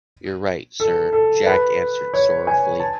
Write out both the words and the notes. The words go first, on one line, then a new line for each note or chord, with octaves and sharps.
You’re right Sir, Jack answered sorrowfully.
A4
A4
B4
C#5
G#5
A5